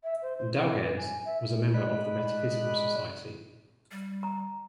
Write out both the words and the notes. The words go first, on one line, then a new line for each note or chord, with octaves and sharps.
Dalgairns was a member of the Metaphysical Society.
E5
C5
C5
C4
B4
G#5
E5
G#3 D5 D#5 B5 F#6
G3
A#5